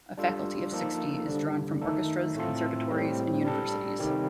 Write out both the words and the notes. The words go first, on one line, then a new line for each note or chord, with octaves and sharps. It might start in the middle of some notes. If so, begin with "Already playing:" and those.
A faculty of sixty is drawn from orchestras, conservatories, and universities.
G3 D4 F4 A4
F3 A#3 D#4 A4
D3 G3 D4
D#3 A3 D#4 A4
A2 A3 C4 F4 A4
A2 G3 C4
G3 D4 A4
C3 D#3 G3 C4 G4